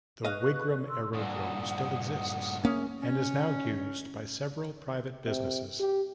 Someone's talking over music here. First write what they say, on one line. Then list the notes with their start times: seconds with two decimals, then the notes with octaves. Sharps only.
The Wigram Aerodrome still exists, and is now used by several private businesses.
0.25 B4 D#5 F5 C#6 F#6
0.89 C6 E6
1.13 G2 A#2 F#5 D#6
2.65 A#3 C#4 G#4 E5 D#6
3.03 C#4
5.25 C3
5.80 G4